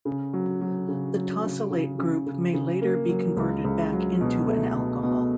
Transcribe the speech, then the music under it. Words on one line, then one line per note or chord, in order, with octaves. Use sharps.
The tosylate group may later be converted back into an alcohol.
C#3
F#3
F#3
C#3
F#3
C#3
C#3
C#3
C#3
C#3
A#3
F#3
C#2
C#2
F#3
B2
A3
B2
B2